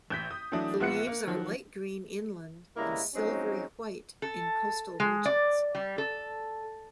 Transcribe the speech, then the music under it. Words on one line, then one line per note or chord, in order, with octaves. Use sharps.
The leaves are light green inland, and silvery-white in coastal regions.
A1 G6 B6
D#6
E3 F#3 A3 D4 D#6
A#1 B3 F4 F#6 C#7
A#3
D#3 F3 F#3
G2 C#3 G#3 A#3 E4 A#5
F3 F#3 G#3 C4 C#4 D#4
A4
G#3
D5
G3
A4